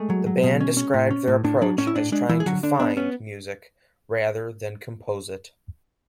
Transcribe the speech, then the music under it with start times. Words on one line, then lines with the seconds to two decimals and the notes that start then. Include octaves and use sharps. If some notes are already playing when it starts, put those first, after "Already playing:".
The band described their approach as trying to "find" music rather than "compose" it.
Already playing: G#3 A3 G#4
0.10 F#3
0.26 F#3
0.44 B2
0.60 C#4
0.77 C#4
0.94 A2
1.11 C#4
1.28 A2
1.44 A2 D4
1.61 F#3 D4
1.78 A2 C#4
1.87 E4
1.95 A2 D4
2.12 G#3 D4
2.29 E3 G#3 E4
2.40 G#4
2.46 D3 F#3 F#4
2.63 D3 D4
2.80 B3 D4
2.97 B3 C#4